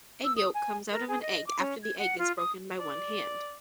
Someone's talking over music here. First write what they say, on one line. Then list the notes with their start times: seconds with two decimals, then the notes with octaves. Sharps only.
Egg yolk comes out of an egg after the egg is broken by one hand.
0.24 E6
0.36 D#6
0.54 G#5
0.91 A#4
1.08 G#4
1.22 D#5
1.47 D6
1.59 C#4
1.83 G#6
1.98 F#5
2.18 F4
2.37 D#6
2.80 D5